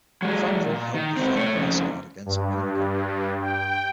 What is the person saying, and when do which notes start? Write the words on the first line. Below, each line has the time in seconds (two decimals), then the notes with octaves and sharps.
Fandral helped defend Asgard against Mangog.
0.22 F#3 G#3
0.66 A#2
0.94 D#3
1.17 C#2 C4
1.36 A3 C#5
1.55 F2 C#3
2.26 G2
3.42 G5